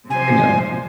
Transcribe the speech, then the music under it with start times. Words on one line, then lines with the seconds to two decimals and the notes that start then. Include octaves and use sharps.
you know?
0.10 C3 F3 C5 G#5